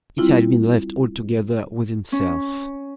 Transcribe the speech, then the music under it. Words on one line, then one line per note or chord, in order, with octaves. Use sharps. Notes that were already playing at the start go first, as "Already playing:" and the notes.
It had been left altogether with himself.
G3 C4 E4 F4
C#4